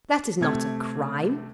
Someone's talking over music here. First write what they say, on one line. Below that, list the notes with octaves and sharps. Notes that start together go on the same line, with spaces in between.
That is not a crime.
C3 A3 G#6